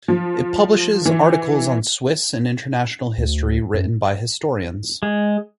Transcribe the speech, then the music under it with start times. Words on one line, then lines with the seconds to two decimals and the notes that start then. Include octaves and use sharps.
It publishes articles on Swiss and international history written by historians.
0.08 F3
1.06 E3
3.18 D2
3.74 F#2
5.03 G#3